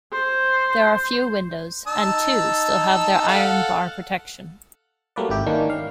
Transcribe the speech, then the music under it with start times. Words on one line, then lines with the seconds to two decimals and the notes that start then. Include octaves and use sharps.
There are few windows, and two still have their iron bar protection.
0.12 C5
1.87 D#4 A5 E6
3.28 A4 F5 F#5
5.16 F#3 G3 A3 A#3 B4 D5
5.29 G#1 E4 G4
5.47 D#3 E3 A#3 C#4 D4
5.70 F5